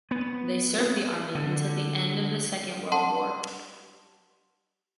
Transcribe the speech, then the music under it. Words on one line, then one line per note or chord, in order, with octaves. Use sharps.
They served the army until the end of the Second World War.
B3
D3
F#5 A5 C6